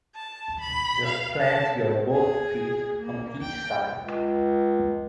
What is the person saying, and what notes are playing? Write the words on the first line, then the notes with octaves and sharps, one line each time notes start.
Just plant your both feet on each side.
A5
B5
F5
A5
G#4
A#3
G5
C#2